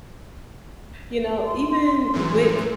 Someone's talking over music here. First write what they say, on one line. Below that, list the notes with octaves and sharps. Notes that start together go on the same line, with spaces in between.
you know, even wit
C6
F#2 A2 E3